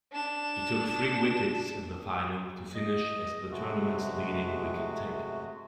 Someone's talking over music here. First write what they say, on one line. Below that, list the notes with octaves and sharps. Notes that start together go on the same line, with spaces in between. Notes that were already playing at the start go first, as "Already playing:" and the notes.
He took three wickets in the final to finish as the tournament's leading wicket-taker.
D4 E7
D#5
C3 G#3 A3 F#4